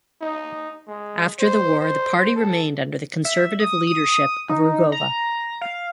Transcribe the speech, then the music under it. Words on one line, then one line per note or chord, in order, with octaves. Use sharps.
After the war the party remained under the conservative leadership of Rugova.
D#4
G#3
C5
C5
A4
E5
D#6
D#6
D#4
A#5
F5